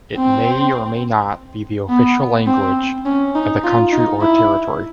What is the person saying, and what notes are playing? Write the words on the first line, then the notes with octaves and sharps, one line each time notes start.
It may or may not be the official language of the country or territory.
C4
B3
C4
C#4
D#4
F4
D#4
E4